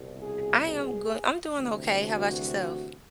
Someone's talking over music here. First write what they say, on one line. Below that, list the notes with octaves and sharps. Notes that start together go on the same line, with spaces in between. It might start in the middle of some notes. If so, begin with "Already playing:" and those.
I am goo I'm doing okay. How 'bout yourself?
Already playing: C2 B2
G#4
G#4
D2 C3 E3
F#4